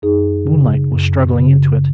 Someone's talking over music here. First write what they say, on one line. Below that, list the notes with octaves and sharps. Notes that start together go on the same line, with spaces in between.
Moonlight was struggling into it.
F#2 D#4 G#4
C#3
F#2
C#3